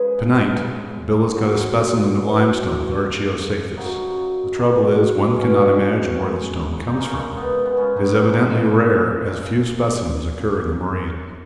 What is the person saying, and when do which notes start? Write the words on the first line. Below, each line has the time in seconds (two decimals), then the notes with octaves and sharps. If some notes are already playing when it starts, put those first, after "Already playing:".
To-night Bill has got a specimen of limestone with archeo-cyathus--the trouble is one cannot imagine where the stone comes from; it is evidently rare, as few specimens occur in the moraine.
Already playing: C#3 F3 G#3 G#4 B4
0.57 C#3 F3 G#3
1.37 C#3 G#3 F#4 A#4
1.77 F4 G#4
2.17 B2 F#3
2.97 A#2 F3 G#3
3.77 C#3 F#3 D#4 F#4
4.57 B2 F#3
5.37 B2 G#3 C#4
6.17 C#3 G#3
6.87 D#4
6.97 A#2 G#3 C#4
7.37 B3
7.65 B3
7.77 C#3 G#3 C#4
7.96 B3 D#4
8.16 C#4 F4
8.33 F4 G#4 A#4
8.56 C#3